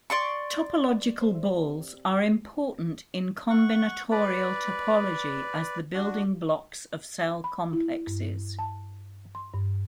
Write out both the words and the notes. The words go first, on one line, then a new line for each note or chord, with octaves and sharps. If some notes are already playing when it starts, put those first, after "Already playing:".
Topological -balls are important in combinatorial topology, as the building blocks of cell complexes.
D5 C6 C#6
F#5 C#6
B4 D5
D4 F#4
B5
E4
G2
A5
C6
G2